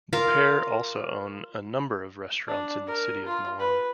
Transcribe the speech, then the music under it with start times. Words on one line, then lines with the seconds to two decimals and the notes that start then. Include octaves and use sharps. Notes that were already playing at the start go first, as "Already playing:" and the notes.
The pair also own a number of restaurants in the city of Milan.
0.13 F4 A#4 F5 D6
2.47 D4
2.87 A#4
3.26 F4
3.60 B4